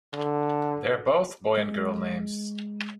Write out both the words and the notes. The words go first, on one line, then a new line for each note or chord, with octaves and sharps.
They are both boy and girl names.
D3
G#3